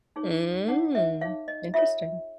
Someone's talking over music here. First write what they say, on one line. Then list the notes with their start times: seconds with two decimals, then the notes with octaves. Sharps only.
Mm. Interesting.
0.16 D#4 G#4 C#5
0.68 D#4 G#4 C#5 F#5
0.95 E5
1.21 D#4 G#4 C#5 F5
1.48 D#5
1.74 F4 A4 C#5 E5